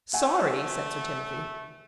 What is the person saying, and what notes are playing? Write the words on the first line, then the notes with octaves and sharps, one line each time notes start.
"Sorry!" said Sir Timothy.
A3 F#5 G#5